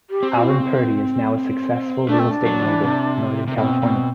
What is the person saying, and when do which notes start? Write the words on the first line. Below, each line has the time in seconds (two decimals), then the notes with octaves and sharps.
Alan Purdy is now a successful real estate mogul in northern California.
0.10 G4
0.23 C4
0.36 F#4
0.42 E4
0.49 F#4
2.08 A3 D4
2.19 C4
2.31 D4
2.46 F#3
2.60 D3
2.65 E3
2.83 C3
3.48 C3
3.57 B2 C4
3.82 B2